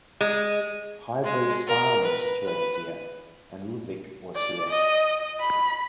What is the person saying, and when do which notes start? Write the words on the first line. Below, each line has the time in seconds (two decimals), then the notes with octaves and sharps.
High Breeze Farm is situated here... and Ludwik was here.
0.21 G#3
1.24 G#3
1.67 A#4
2.03 B4
2.45 B4
4.35 D5
4.70 D#5
5.40 B5